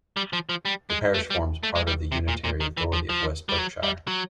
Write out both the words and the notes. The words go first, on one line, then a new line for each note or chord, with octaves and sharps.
The parish forms part of the unitary authority of West Berkshire.
G3
F3
F3
G3
G#3
A3
G3
A3
G#3
G3
C3
A#2
A#2
D#3
E3
F3
F3
G3
F#3
G3
F#3